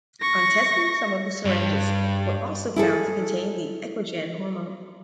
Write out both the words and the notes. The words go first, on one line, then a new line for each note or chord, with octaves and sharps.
On testing some of the syringes were also found to contain the EquiGen hormone.
C#6 A#6
G2
E4 G#4 A4